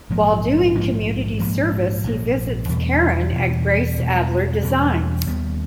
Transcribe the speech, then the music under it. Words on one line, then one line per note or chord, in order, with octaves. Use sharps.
While doing community service he visits Karen at Grace Adler Designs.
A#1 G#2 F3 A#3
A#1 G#2 F3 A#3
A#1 G#2 F3 A#3
A#1 G#2 F3 A#3
E2 B2 G3
E2 B2 G3
E2 B2 G3
E2 B2 G3
D#2 D#3 G3 B3